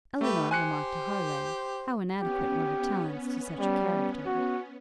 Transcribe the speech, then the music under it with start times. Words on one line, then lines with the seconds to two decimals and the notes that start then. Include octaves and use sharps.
Elinor remarked to Harleigh, how inadequate were her talents to such a character.
0.21 A3 G4 B4
0.51 G4 C5 G#5 F#6 C#7
2.21 B3 C#4 G4
3.59 G3
4.26 F#4